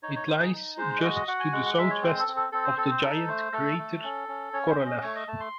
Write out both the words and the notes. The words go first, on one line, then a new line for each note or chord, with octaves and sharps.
It lies just to the southwest of the giant crater Korolev.
D#4 C#5
C#5
D#4 C5
G#4
D#4
G#3 C5
F#4 D#5
D#5
F#4 F#5
G#5
G#3 F#5
F#5
G#3 E5
C#5
C4 C5
A4
C4
A4
C4 A4
C5
C4 A4
C5
D#4 A4
A3 C5
A3 A4
A3
C#4
C#4
C#4 C#5
C5
C#4
D#5
A3 C#5
D#5
A3 A5
C6